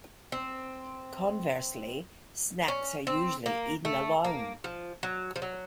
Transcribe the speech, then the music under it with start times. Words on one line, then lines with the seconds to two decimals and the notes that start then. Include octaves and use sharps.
Conversely, snacks are usually eaten alone.
0.32 C4
2.68 C#4
3.07 C4
3.46 A#3
3.85 A3
4.25 A#3
4.64 F3
5.03 F#3
5.36 F3
5.42 F#3